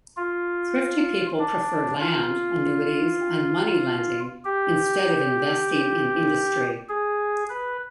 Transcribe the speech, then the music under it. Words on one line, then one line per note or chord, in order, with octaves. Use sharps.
Thrifty people preferred land, annuities and money lending instead of investing in industry.
F4
D4
F4
G4
G#4
B4